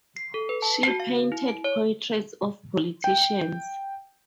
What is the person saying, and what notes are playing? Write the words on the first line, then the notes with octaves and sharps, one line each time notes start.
She painted portraits of politicians.
C7
A4
B4
A5
F#4
F5
E4
D7
C#5
G5